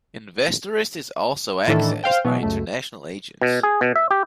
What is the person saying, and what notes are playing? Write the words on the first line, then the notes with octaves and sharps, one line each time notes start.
Investorist is also accessed by international agents.
A2 D#3 E3 D4 A4
C5 F5 G5
B2 E3 F#3
C#2 F#2 A3
B2
G#4
B2
E5
G4